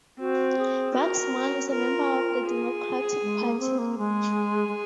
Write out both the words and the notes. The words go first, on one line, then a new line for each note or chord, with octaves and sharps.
Waxman is a member of the Democratic Party.
C4 F#4
G#4
F#4 A#4
F#4
F4 A#4
G#4
G#3
A#3
C4
A#3
G#3 G#4
G#3